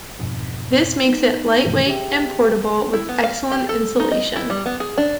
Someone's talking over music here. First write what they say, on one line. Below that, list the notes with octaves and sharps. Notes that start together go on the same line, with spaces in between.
This makes it lightweight and portable with excellent insulation.
F2 G#2 B2
B3 D#4
G2 B2 D#3 E3 G#3 A3
G4 G#4 E5 G5
E4
B3
F5
G4
A4
D#4
D#5
E4
G3
B3
G#4
D4